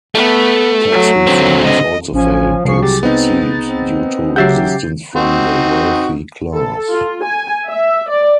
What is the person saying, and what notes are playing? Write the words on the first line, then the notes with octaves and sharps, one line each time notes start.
Tax reforms also failed to succeed due to resistance from the wealthy class.
A3 B3
F#3
D3 C4
D#5
A1 F3 C#4 G#5
C2 F3 G#4 C#6 C7
F#3 G4 A6
B3 C4 D#4
C4
C#3 F#3 G4 E5 F#5 G6 A6 C7
C4 D#4 F#4
A4
F4
G#5
E5
D5